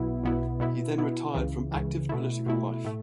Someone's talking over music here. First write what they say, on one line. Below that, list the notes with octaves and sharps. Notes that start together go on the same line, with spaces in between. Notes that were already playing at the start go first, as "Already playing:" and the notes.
He then retired from active political life.
Already playing: B1 B2 B3 E4
B1 B2 B3 E4
B2 B3 E4
B2 B3 E4
C#2 C#3 E3
C#2 C#3 E3
B2 A3 E4
B2 A3 E4
A2 A3